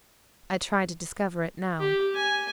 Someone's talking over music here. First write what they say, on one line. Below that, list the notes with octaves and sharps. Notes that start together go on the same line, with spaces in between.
I tried to discover it now.
G4
G#5